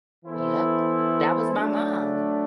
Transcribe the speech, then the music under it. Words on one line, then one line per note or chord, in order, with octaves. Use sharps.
Yep, that was my mom.
E3 B3 E4 A4 C5
F#3 A3 D4